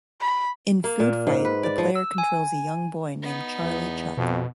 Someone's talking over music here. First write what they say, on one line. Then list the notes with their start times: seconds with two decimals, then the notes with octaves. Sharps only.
In "Food Fight", the player controls a young boy named Charley Chuck.
0.21 B5
0.84 A#3
1.00 A#2
1.27 G#2
1.45 B4
1.63 D5
1.78 F3
1.95 E6
2.18 G#5
3.22 B3 D#4
3.62 E2
4.17 F2 B2